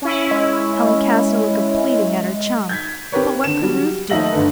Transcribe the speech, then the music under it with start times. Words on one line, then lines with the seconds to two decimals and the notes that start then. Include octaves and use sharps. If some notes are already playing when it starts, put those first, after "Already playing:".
Helen cast a look of pleading at her chum; but what could Ruth do?
0.02 C#4 E4
0.31 G#3
2.69 G6 G#6 B6
3.12 C4 G4 A#4 B4 C#5
3.44 D3 E7
3.62 F#3 G3
4.10 D#2 A3 D#4 E5 A#6 F#7
4.32 G1 D3 A4 B4